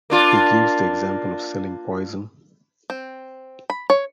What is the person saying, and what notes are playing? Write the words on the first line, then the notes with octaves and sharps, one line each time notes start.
He gives the example of selling poison.
A#3 D4 F4
C4
B5
C#5